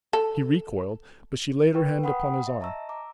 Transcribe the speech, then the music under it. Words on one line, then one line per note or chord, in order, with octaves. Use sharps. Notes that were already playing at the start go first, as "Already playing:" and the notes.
He recoiled, but she laid her hand upon his arm.
A4
A#4 B4 G5 C#6
F#5 G5 B5 C6 D#6
E5
D#5 A5 A#5 C#6 E6
A#5 D6